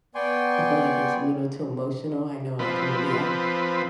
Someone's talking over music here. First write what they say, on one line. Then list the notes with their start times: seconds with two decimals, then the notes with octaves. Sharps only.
I feel like it's a little too emotional. I know I I'm gonna be a
0.15 B3 D5 G5 G#5 C6 C#6
2.59 F3 C4 B4